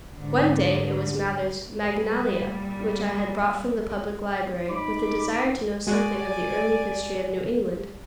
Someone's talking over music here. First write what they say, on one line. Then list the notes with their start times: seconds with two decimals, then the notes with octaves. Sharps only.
One day it was Mather's "Magnalia," which I had brought from the public library, with a desire to know something of the early history of New England.
0.15 G#2 D3
1.84 A#2 G3
4.69 D#4 B5 D6
5.87 G#3 F#4 D5 G#5